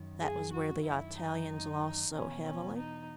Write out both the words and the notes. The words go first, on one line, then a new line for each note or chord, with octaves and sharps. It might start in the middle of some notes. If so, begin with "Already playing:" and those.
"That was where the Italians lost so heavily."
Already playing: F#2 D#3
G#4
F#4
F#2 D#3 E4
D#4
E2 B2 C#4
C#4
D#4